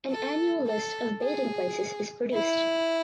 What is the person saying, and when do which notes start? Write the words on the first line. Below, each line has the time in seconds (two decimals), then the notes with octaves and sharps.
An annual list of bathing places is produced.
0.11 A4
0.67 A4
1.23 G#4
2.33 E4